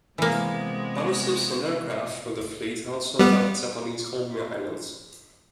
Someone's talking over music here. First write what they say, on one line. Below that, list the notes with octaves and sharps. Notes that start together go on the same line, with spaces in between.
Battleships and aircraft from the fleet also attacked the Japanese home islands.
C3 E3 G#3 A#3 B3
G3 B3